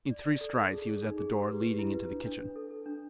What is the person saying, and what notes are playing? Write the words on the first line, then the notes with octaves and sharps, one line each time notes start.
In three strides he was at the door leading into the kitchen.
D5
D5
A4
A4
G#4
G#4
D#4
G#4
G4
B4
G4
E4
B4
D4
D4
D4
A4
A4
D4